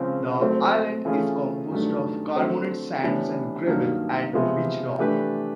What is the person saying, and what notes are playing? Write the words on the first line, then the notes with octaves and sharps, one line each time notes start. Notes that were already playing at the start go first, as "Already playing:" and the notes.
The island is composed of carbonate sands and gravel, and beach-rock.
Already playing: C#3 F3 G#3 C4
F#3 A3 C4
E3 A3 C#4 F4 G#4
G2 D#3 F#3 A3 D4
D3 F#3 A3 C4
A2 E3 G3 B3 D4
G2 D#3 F#3 A#3 D4
C3 F3 G#3 B3
E3 A3 D4 G4 B4